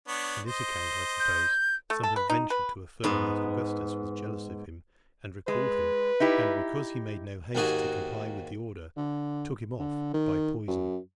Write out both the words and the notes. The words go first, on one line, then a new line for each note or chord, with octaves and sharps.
In this account, I suppose, some have ventured to affirm that Augustus was jealous of him, and recalled him; and because he made no haste to comply with the order, took him off by poison.
B3 D4 C#5
C5 D#5
G6
A3
A4
B4
D#4
B4
G#2 B3
G#3 B4
D#4 E4 G4
D#2 G#2 A#3 F#4 G#4 G#5
D3
D3
D#3
F#2